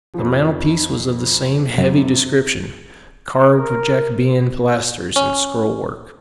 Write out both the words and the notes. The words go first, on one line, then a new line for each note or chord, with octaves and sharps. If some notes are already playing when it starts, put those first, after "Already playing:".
The mantelpiece was of the same heavy description, carved with Jacobean pilasters and scroll-work.
F2 F3
F#2 C3
A#4
C#4